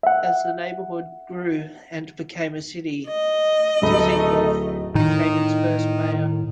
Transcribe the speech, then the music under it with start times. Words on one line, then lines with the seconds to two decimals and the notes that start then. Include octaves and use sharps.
As the neighborhood grew and became a city, Dizengoff became its first mayor.
0.03 E5 F#5
3.07 D#5
3.82 D1 A3 D#4 B5
4.95 A2 D#3